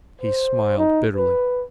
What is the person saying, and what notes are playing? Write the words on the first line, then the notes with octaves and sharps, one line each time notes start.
He smiled bitterly.
C5
D#4
B4